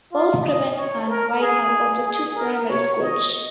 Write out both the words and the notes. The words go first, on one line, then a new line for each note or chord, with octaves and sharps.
Wolfgraben and Widmer are the two Primary Schools.
F4
D#5
C#5
A#4
G#4
G#4
A#4
C#5
D#5